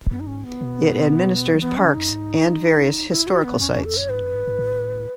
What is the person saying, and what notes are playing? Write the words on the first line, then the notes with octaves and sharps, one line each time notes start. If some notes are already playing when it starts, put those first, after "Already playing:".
It administers parks and various historical sites.
F#2 B3
D#4
G#2 C#4
B3
B2
F#3
E3 B3
F#3 C#4
C#3
F#2 D#4
G#2
E4
F#4
B3
E2 C#4
E2 C#4
A4
F#2 C#5
G#2 B4
F#2
G#2
G#2
A2